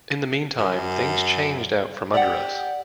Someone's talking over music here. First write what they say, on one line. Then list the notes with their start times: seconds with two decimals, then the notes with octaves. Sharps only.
In the meantime, things changed out from under us.
0.57 F#2
2.14 G4 D5 F#5